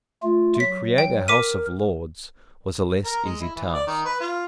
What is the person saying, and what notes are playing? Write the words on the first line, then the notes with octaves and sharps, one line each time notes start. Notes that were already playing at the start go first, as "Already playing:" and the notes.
To create a House of Lords was a less easy task.
A3 F4
F#3 B6
G5
A#4 D6 B6 D#7
A#4
G#3
E4
E3
D5
D#3
B4
F4